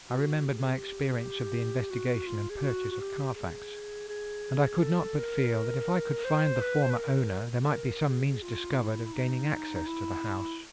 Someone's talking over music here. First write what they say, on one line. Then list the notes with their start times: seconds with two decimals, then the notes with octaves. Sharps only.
I remembered my experience of the investigation and purchase of Carfax, and I could not but feel that if I could find the former owner there might be some means discovered of gaining access to the house.
0.10 F#4
0.47 G4
0.58 G#4
0.71 G4
1.13 G#4
1.18 G4
1.90 F#4
2.27 F4
2.50 G#4
2.56 G4
2.63 F#4
2.91 F#4
3.00 G4
3.35 G#4
4.08 G#4
4.81 A4
5.17 A#4
6.25 C5
6.61 B4
6.83 C5
6.90 B4
6.97 A#4
7.63 A4
7.70 A#4
8.06 G#4
8.42 F4
8.78 E4
9.05 E4
9.14 D#4
9.76 D#4
9.87 E4